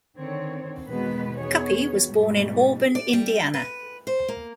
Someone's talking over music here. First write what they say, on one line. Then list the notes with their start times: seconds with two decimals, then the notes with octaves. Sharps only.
Cuppy was born in Auburn, Indiana.
0.18 D3 D#3 C4 C#5
0.88 E2 B2 D#3 G#3 B3 B4
1.37 E2 D#3 B3 G#4 C#5
2.07 G#2 B2 G3 A3
2.95 D5
3.13 G3
3.54 B4
4.07 C5
4.28 A#3